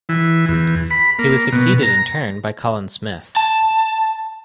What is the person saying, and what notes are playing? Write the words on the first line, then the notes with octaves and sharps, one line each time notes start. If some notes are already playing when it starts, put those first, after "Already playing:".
He was succeeded in turn by Colin Smith.
E3
E2
B5
A#3
B2
A#5
A5